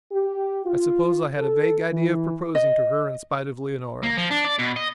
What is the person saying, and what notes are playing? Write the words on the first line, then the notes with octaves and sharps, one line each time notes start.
I suppose I had a vague idea of proposing to her in spite of Leonora.
G4
F4
A4
E3
D#5
A#3
F3
D4
D5
B2
D#5